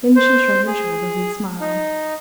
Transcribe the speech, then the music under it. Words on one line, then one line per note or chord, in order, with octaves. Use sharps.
Then she shrugged her shoulders and smiled.
C5
G#4
D#4